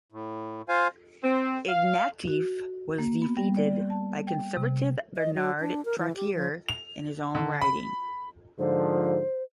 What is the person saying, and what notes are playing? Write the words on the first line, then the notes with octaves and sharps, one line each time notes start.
Ignatieff was defeated by Conservative Bernard Trottier in his own riding.
A2
F4 C5 F5 G#5
C4
F5
F#4
A#3
B3
G3
D5
A5
G5
C3
D#5
F#3
D4
A#4
E3
G4
F3
F7
D3
B5
G#2 D3 F3 C5